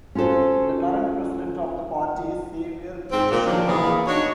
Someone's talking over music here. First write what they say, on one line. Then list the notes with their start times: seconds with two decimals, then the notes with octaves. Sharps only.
The current president of the party is Saviour Chishimba.
0.15 C#4 F4 F#4 A4 C5
3.11 G#2 C4
3.31 A#2
3.45 D#3 F3 F#3 D4
3.68 A#2 E3 B3 G#4
4.07 D4 D#4 F#4 C#5